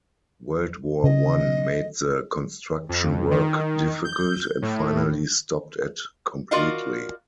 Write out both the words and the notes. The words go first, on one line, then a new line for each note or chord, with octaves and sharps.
World War One made the construction work difficult, and finally stopped it completely.
C#3 D#5
F2
D#3
G6
A2
F4 F#4 A#4 D5 D#5 F5